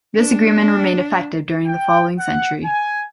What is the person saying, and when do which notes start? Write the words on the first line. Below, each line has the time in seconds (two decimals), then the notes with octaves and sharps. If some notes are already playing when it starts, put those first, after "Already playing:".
This agreement remained effective during the following century.
0.16 D4
1.66 G5
2.18 F#5
2.64 G#5